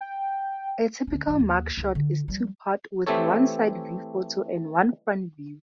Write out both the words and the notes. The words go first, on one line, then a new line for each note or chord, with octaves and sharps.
A typical mug shot is two-part, with one side-view photo, and one front-view.
G5
D2 C#4
A2 F3
D#2
C#2 D#4
D3
F3 G3
E3 A3 C4 G4 A4 C#5